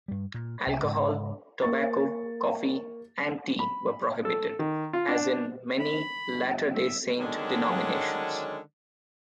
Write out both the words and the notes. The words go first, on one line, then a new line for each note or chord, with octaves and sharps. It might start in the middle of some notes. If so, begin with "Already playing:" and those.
Alcohol, tobacco, coffee and tea were prohibited, as in many Latter Day Saint denominations.
G2 G3
A#2
C2
G#2 C#3
A#3 C#6 A6
B5
A4
D#3
F4
D4
B5
G1
E5
D3 D#3 F#3 G#3 C#4 D4